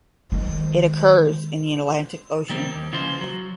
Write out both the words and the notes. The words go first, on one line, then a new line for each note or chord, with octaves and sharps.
It occurs in the Atlantic Ocean.
D#3 G#3
D#3 G3 A#3 C4
D#2
C#3 E3 F3 G#3 F4 C5
F#3